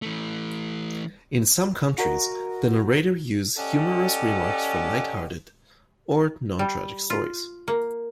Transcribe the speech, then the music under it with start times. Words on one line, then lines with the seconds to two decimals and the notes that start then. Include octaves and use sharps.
In some countries, the narrator used humorous remarks for light-hearted or non-tragic stories.
0.02 E3 A3
1.98 F#4 A#4 D#5
3.57 C#4 G4 A4 D5 D#5 F#5
6.59 G3
7.10 F4
7.68 A#3